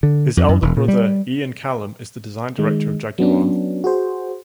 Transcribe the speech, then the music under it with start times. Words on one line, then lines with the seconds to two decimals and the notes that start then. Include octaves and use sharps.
His elder brother Ian Callum is the Design Director of Jaguar.
0.03 D3
0.37 F2
0.49 F#2
0.62 E1
0.77 A#2
0.88 G3
2.59 D#3 G#3
3.19 F#3 B3 C#4 D4
3.84 F#4 G#4 C5